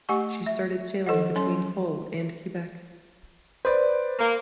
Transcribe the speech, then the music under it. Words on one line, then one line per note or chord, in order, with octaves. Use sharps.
She started sailing between Hull and Quebec.
A3 G4 F#5 G#5 C#6
E5
F3 A4 D#5 F#5
F#3 C#4 C6
B4 C5 D5
A#3